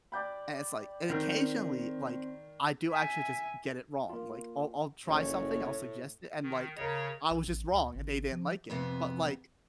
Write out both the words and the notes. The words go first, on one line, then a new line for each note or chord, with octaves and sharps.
and it's, like and occasionally, like, I do actually just get it wrong. Like, I'll I'll try something, I'll suggest it, and, like, I was just wrong, and they didn't like it, but, like
D5 G5 B5
D#3 C4 F6 G6
E5 G#5
A#3 F4
F#1 A2 C#5
D#3
C#3 A#4 C#5 D#5
B1
A1
D2
G#1
F3
F2 C3 B3